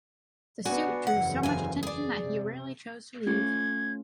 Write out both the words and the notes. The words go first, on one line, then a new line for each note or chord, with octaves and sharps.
The suit drew so much attention that he rarely chose to leave.
B3 D4 F#4 F#5 G#5
F#1 E2 F#5
F2 F5 G#5
G#4 D5
C3
A3 C#4 F4 G#6